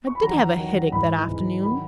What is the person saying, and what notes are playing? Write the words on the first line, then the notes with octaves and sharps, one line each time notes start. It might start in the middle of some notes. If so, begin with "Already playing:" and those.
I did have a headache that afternoon.
C#6
B5
E2 D#3 F#3 A#5
E2 D#3 F#3
G#2 E3 G#3 B5
G#2 E3 G#3
D#3 F#3 B5